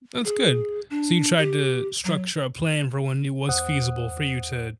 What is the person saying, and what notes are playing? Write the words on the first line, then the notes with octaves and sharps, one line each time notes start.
That's good. So you tried to structure a plan for when it was feasible for you to,
G#4
D4
G4
F#3
E2 C5 F#5 D#6 F#6